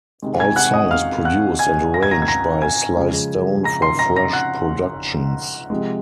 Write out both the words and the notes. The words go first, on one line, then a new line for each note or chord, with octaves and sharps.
All songs produced and arranged by Sly Stone for Fresh Productions.
C3 D#3 G#3
G#5 G#6
F#5 F#6
D#5 D#6
F5 F6
F#5 F#6
G#5 G#6
A#6
G#6
A#5 A#6
G#6
A#5 A#6
G#5 G#6
C#3 F3 G#3
A#5 A#6
C6 C7
A#5 A#6
A#5 A#6
F#5 F#6
C3 F3 G#3